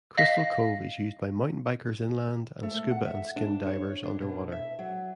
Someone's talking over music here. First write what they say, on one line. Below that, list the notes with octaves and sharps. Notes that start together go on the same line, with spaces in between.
Crystal Cove is used by mountain bikers inland and scuba and skin divers underwater.
D#5 F5 A#6 B6
A3
F#5
E5
D4
C#5
D4
B2
E5
F#3